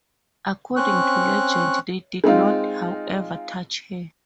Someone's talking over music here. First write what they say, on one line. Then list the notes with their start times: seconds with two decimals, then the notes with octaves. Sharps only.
According to legend, they did not, however, touch her.
0.76 C4 C#4 C#6 F#6
2.24 G#3 C4 D#4 F4